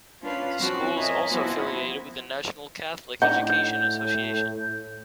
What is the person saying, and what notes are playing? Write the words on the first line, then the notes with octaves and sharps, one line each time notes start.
The school is also affiliated with the National Catholic Education Association.
C#4 D4 F4 B4 C#5 F5
F3 C4 C#4 F#4
A#4 C#5 D#5 E5 G#5
F3 B3 C4 E4 F#4
A2 D4 D#4 F#5 G6